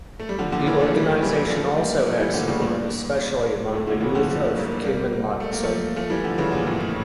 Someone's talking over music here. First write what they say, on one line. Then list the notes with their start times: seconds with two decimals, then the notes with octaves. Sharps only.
The organization also had support especially among the youth of Kymenlaakso.
0.20 A3
0.29 G3
0.38 D3 F3
0.52 A#2 D3
0.66 C#3 E3
0.80 F3 A3
0.95 E3 G3
1.22 E3 G3
1.50 F3 A3
1.77 G3 A#3
2.05 F3 A3
2.19 E3 G3
2.34 A#2 D3
2.48 A2 C#3
2.61 G2 A#2
3.73 F2 A2
3.87 A#2 D3
4.01 C#3 E3
4.15 D3 F3
4.29 F3 A3
4.56 G3 A#3
4.84 G3 A#3
5.40 A3
5.53 A#3
5.63 F3 A3
5.96 F3 A3
6.10 E3 G3
6.24 D3 F3
6.38 C#3 E3
6.52 A#2 D3
6.66 F2 A2
6.80 A2